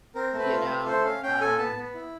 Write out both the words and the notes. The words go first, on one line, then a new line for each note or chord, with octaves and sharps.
you know, um,
C4 A#4
A3
B4
F4
B4
A3
A4 C5
C#4 F5
C#4 G5
A4 G#5
B3 A5
B3
E4